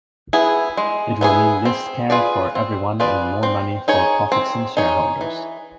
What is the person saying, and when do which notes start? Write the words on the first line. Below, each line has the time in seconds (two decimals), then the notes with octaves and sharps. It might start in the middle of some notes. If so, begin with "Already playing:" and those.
It will mean less care for everyone, and more money for profits and shareholders.
0.33 B3 E4 G#4
0.77 G#3
1.21 B3 E4 G#4
1.65 C4
2.10 F4 G#4 B4 D5
2.55 C4
3.00 F4 G#4 B4 D5
3.43 C4
3.88 D#4 G#4 C#5
4.32 C4
4.77 D#4 G#4 C#5
5.21 E3